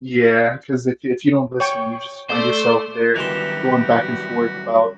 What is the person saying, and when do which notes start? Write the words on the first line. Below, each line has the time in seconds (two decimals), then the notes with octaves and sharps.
Yeah, 'cause if you if you don't listen, you just find yourself there going back and forth about
1.60 C#5 G5 C#6
2.30 A3 C5 D5
3.16 G2 D#3 E3 F#3 B3 F#4 G4 C6